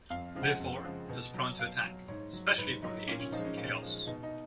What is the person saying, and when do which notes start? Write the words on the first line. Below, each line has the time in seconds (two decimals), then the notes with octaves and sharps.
Therefore, it is prone to attack, especially from the agents of Chaos.
0.10 F2 F5
0.35 C#3 F3 G#3
0.43 F#5
0.60 F2
0.84 C#3 F3 G#3
1.09 B2
1.34 F#3
1.59 B2 F5
1.84 F#3
2.08 G#2 C#5
2.33 F#3
2.58 G#2 B4
2.82 F#3 D#4
3.07 A#2 C#4
3.20 C#4
3.32 F3 D#4
3.37 G#3
3.45 C#4
3.57 A#2
3.82 F3 G#3
4.07 B2 D#4
4.23 D#4